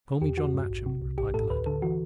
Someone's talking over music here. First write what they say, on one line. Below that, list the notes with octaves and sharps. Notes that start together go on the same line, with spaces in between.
"Call me John Matcham," replied the lad.
E2 G4
E2 F#4
G2
A1
C3
C2
A1 G4
A2 A4
D2 B4
D3 A4
E3 F#4